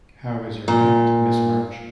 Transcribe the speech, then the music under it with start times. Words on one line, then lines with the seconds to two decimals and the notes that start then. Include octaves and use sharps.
How is your cat, Miss March?
0.68 A#2